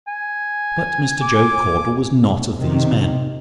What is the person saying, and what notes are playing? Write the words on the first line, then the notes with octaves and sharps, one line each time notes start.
But Mr. Job Caudle was not of these men.
G#5
D6
C3 D#3